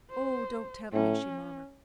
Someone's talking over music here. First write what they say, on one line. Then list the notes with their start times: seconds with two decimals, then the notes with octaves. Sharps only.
"Oh, don't tempt me!" she murmured.
0.10 C5
0.93 A2 C#4